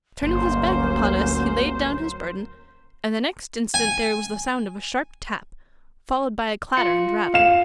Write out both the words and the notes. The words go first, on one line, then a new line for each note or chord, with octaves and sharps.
Turning his back upon us he laid down his burden, and the next instant there was the sound of a sharp tap, followed by a clatter and rattle.
G1 D2 F#3 A#3 C#4 A#4 C5
G#5
F4 C#7
F5 E7